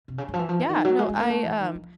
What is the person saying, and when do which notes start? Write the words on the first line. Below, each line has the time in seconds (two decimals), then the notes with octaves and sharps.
Yeah, no, I, um
0.08 C3
0.18 C#3
0.28 D#3
0.33 F3
0.39 E3
0.49 F3
0.59 E3
0.69 D#3
0.85 F#3
0.99 G#3
1.09 G#3
1.20 A#3
1.30 A3
1.45 E3
1.60 D#3
1.75 F3